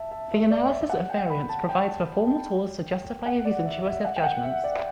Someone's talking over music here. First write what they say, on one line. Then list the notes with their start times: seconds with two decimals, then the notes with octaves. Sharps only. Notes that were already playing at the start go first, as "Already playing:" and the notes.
The analysis of variance provides the formal tools to justify these intuitive judgments.
Already playing: E5 A5
0.11 E5
0.31 E5
0.51 D5
0.70 E5
0.81 E5
0.89 F#5
1.09 G5
1.30 B5
1.49 A5
1.69 G5
3.26 F#5
3.45 D5
3.65 E5
3.85 E5
4.05 F#5
4.16 G5
4.24 F#5
4.44 E5
4.64 D5